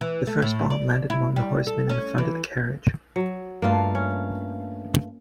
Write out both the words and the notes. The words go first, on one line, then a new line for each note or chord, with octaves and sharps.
The first bomb landed among the horsemen in front of the carriage.
E3
A3
A2
D5
E4
G3
A4
C#4
E3
F#3
G2 A3 A#3 F4 F5
C#4